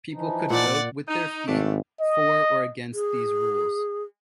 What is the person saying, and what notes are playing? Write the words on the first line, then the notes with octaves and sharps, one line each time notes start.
People could "vote with their feet" for or against these rules.
E3 F3 D#4
A#2 D5 F#5
D#4
G#1 A3 D4
D#5
G#4